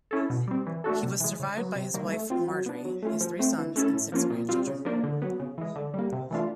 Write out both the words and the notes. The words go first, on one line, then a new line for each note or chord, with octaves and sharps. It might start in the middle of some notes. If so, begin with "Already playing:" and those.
He was survived by his wife, Marjorie, his three sons and six grandchildren.
C#4 E4 A4
B2
G3 C4
E3
A3 D4 F#4 A4
C3
E3 G#3
C#3
F#3 B3
C3
D#3 G3 A#3
A3
C4 F4
F#3
B3 D4
F#3
A3 C#4 F4
F3
A3 C4
E3
A3 C#4 E4 A4
A2
F3 A#3 C#4 F4
A#2
G3 C4 F4
C#3
F3 A#3 D4
D3
F#3 B3
C#3
E3 G#3
D3
G3 A#3
C3
E3 A3 D4 F4